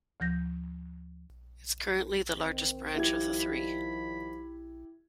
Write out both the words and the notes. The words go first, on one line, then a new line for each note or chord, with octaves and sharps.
It is currently the largest branch of the three.
D2 F3 G6 A#6
D#3 C4
D#3 F3 G3 E4 G4 G#6
B5